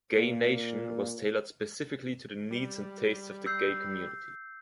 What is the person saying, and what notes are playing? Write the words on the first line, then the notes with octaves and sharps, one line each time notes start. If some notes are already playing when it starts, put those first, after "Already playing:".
"Gay Nation" was tailored specifically to the needs and tastes of the Gay Community.
A#2
G3
E6 G6 C7